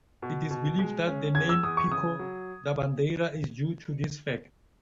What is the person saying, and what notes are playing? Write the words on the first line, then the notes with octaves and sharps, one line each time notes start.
It is believed that the name Pico da Bandeira is due to this fact.
B2
B2
G#3
C#4
E2 G#6
E6
E2 D#6
C#6
C#3 D#6
F#3